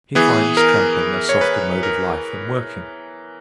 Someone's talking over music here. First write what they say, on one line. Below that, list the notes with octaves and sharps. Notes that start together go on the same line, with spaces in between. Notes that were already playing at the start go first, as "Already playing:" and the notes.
He finds tramping a softer mode of life than working.
E3 B3 G#4
A#4
C#5
B4
A#4